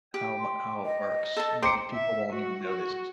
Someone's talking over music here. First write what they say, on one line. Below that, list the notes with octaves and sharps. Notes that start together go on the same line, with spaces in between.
how mu how it works, maybe people won't even notice."
G4
C6
D#5
A4 A5
C5 G5 A#5 D6 C#7
E5
F#4
F#4